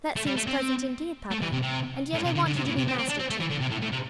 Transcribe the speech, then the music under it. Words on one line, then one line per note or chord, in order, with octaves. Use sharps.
That seems pleasant indeed, papa; and yet I want you to be master too.
A3
G3
A3
C4
A3
E3
C3
C3
A2
C3
D3
D3
C3
A2
C3
C4
C4
D4
C4
A3
E3
D3
C3
A2
A2
C3